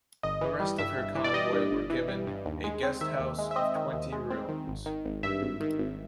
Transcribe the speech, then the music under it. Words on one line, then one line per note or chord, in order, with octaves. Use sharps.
The rest of her convoy were given a guest house of twenty rooms.
G1 D#5
E3
G3
G2 E5
G1
E3
D5
G3 D#5
G2
G1
E3
G3
G2
D#2
G#3
C4
D#3 E5
D#2
G#3
E5
C4 D#5
D#3
D#2
G#3
C4
D#3
G#1
D#3
G#1
G2 E5
G#1
D#3
G#1